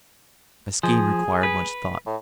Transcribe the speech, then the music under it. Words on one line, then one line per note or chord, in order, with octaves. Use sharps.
My scheme required much thought.
F3 G#4
B4
A2